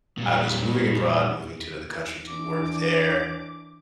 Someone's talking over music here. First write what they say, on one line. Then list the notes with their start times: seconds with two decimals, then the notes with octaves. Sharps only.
I was moving abroad, moving to another country to work there,
0.18 A#2 G3
2.27 E3 D4 D6